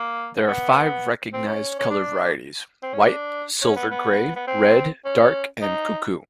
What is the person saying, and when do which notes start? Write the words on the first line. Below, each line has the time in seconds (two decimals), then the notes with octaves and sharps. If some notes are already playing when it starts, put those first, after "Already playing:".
There are five recognised colour varieties: White, Silver-grey, Red, Dark and Cuckoo.
Already playing: A#3
0.48 B3
1.33 C4
1.47 C#4
1.79 C#4
1.90 D4
2.83 C4
2.94 C#4
3.05 D4
3.62 C#4
3.76 B3
3.91 B3
4.36 B3
4.47 C4
5.05 C#4
5.62 D#4